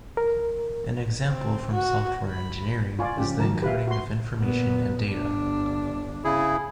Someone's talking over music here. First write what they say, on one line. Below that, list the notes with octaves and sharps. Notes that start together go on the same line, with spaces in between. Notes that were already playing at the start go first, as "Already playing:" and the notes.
An example from software engineering is the encoding of information and data.
A#4
C4
F#4
B5
F4 D5 G#5 C6 C#6
C#3 F3 G4
D#3 F#3 A#4 A5
G4 B4 E5 F5
F#4 C6
A#2 B3
G1 D4
C#3 E4 G#4